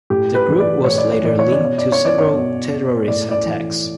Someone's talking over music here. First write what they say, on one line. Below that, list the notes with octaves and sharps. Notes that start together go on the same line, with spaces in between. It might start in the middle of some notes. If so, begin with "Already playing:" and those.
The group was later linked to several terrorist attacks.
A2 G4
B4
E3
D5
A2 C#5
D5
C#5
E3 D5
C#5
D5
B2
C#5
D5
C#5
D5
C#5
B2
A2 D5
D5
E3